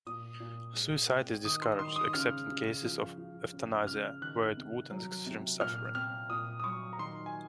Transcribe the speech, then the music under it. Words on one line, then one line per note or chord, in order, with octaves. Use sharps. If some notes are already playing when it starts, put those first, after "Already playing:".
Suicide is discouraged except in cases of euthanasia, where it would end extreme suffering.
A#2 D#6
A#2
G#3
C4
D#3 D#6
C6
D#3 C6
D#6
C#3 F6
C#3
F3
F3
C#3
C#3 F6
D#3 F#6
C3
F#3
C3
A#2 F6
C4 F6
A#2 D#6
D#6
F#3 C#6
A#5
D#3 C6
G#5